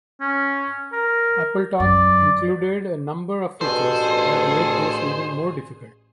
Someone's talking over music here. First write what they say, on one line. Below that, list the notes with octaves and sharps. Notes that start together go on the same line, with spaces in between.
AppleTalk included a number of features that made this even more difficult.
C#4
A#4
F#2 D5
A1 G2 B2 G#4 A4 C5